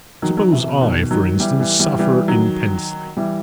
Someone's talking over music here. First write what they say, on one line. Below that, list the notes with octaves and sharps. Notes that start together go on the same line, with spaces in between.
Suppose I, for instance, suffer intensely.
D#3 F#3
D#3 F#3
C3 E3
B2
B2 D#3
D#3 F#3
E3 G3
E3 G3
E3 G3
E3 G3
D#3 F#3
E3 G3